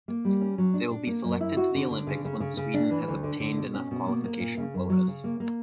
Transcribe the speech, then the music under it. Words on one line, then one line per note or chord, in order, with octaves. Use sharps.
They will be selected to the Olympics once Sweden has obtained enough qualification quotas.
A#3
G3
C#4
F#3
D4
D4
A#3
F#2
E4
F#4
D3
D3
C#3
C#3
C#3
C#3
D4
E3
D2
D3
D3
B2
C#4
B2
A#3
A#3
A#2
C#3
F#2
F#3
C#3
A#3
A#3